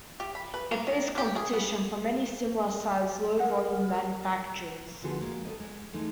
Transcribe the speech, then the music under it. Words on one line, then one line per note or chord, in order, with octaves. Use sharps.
It faced competition from many similar-sized low-volume manufacturers.
G4
B5
B4
A#3
D#3
G4
G#4
B3
G#4 A#4 D#5 F#5
D3 F3 B3 F#4 G#4 B4
G#3 A#3 F#4
A4 B4 D#5
G#3
E3 G#3 A3 D#4